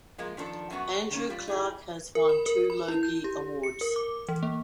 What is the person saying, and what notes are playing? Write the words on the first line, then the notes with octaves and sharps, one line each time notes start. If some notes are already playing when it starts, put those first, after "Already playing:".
Andrew Clarke has won two Logie Awards.
F3 G#3 A#3 F4
D#3 F3 D4 A4
F#2 F#3 B3 F#4
D#3 C#4
G3 F4
D#4 E4 G#4
A#4
B5
A#4
B5
E4
G6
G4
C#7
A#4
D6
E3
A#3